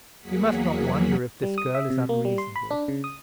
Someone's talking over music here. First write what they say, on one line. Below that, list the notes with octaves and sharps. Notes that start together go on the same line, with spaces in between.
You must not wonder if this girl is unreasonable.
E2 F#3 A#3 G#4 F#5 B6
G3
D#6
E5
C3
A#3
G3
C6
B5
D4
C#3
D#6